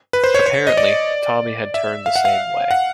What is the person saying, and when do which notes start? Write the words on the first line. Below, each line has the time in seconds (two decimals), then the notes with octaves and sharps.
Apparently Tommy had turned the same way.
0.13 B4
0.24 C5
0.35 C#5
0.46 C#5
0.67 D#5
0.77 D5
1.74 E5
2.06 F5
2.16 F#5
2.25 F5
2.71 F#5